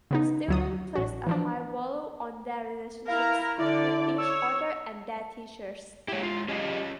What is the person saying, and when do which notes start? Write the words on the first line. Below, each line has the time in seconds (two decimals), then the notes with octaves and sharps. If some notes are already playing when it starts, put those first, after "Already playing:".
Students place a high value on their relationships with each other and their teachers.
0.11 C#3 B3 D#4
0.48 D2 F#3 D#6
0.95 A1 F#4
1.27 E3 F3 D4
3.08 E4 A#4 F5 A#5
3.58 D3 E4 D5
4.18 C#5 E6
6.08 G#3 E4 G4 C#5
6.23 F4
6.49 C#4 F4 G4 G#4 D#5